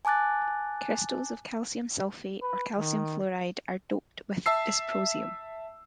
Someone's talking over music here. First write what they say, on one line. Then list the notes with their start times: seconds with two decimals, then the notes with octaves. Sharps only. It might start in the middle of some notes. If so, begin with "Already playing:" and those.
Crystals of calcium sulfate or calcium fluoride are doped with dysprosium.
0.05 G#5 A5 D6 F#6 A6
2.42 B4
2.78 D#3
4.46 E5 A5 E6 C7